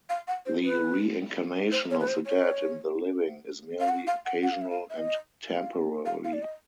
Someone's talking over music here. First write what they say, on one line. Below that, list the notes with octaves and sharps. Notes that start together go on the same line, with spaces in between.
The reincarnation of the dead in the living is merely occasional and temporary.
F5
F#5
C5
B4
C5
C#5
B4
C5
C#5
F5
F#5
F5
F#5
F#5
F5
E5
F5
E5
D#5
F5
F5
F5
D5
D#5